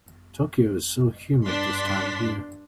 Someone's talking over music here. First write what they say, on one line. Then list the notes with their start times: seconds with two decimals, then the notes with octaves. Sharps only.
Tokyo is so humid this time of year.
1.46 G2 D4 C6 B6